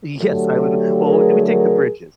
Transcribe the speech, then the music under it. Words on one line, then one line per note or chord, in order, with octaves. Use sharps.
Yes, I would Well, do we take the bridges?
D3 F#3 A3 G4 A4
G#4 A#4
G#4 A#4